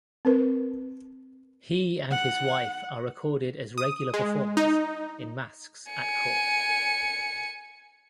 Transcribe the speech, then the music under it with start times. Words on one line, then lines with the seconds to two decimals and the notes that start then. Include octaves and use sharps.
He and his wife are recorded as regular performers in masques at court.
0.25 C4 A#4 B4
2.11 F#5
3.78 D#6
4.14 G#3
4.57 D#4
5.92 G#5 C#7